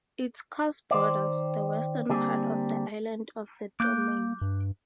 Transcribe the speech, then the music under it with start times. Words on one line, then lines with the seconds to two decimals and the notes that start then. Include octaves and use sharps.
Its course borders the western part of the island of the Domaine.
0.91 D#3 C5 D5
2.09 D3 G3 A#3 C4 G#4
3.80 A#3 D6 F#6 G6
4.41 G2